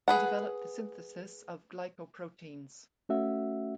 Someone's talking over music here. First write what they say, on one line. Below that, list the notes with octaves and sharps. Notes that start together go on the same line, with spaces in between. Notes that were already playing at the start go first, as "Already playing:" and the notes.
He developed the synthesis of glycoproteins.
G#4 B4 F#5
A3 C#4 F#4 E5